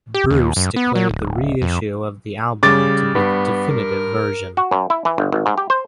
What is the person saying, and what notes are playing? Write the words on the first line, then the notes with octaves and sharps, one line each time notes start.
Bruce declared the reissue of the album to be the "definitive" version.
G4
D#2
F#2
B3
F#3
D1
F2
C#3 G3 D6 A6
G2 B3
A#4
F#4
F#2
E4
E3
G1
G#1
G#2
G4
C5